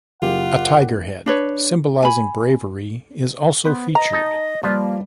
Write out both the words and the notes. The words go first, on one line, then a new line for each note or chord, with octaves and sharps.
A tiger head, symbolizing bravery, is also featured.
F#1 F4 G4 F#5
D4 B4 C#5
G#5 B5
B3 B4 C5
D#5 A#5
D#4 A5
F3 G3 A#3 F4 B4 D5